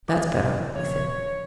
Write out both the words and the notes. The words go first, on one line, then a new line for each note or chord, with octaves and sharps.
"That's better," he said.
D6 D#6
A#1 C#3 C#5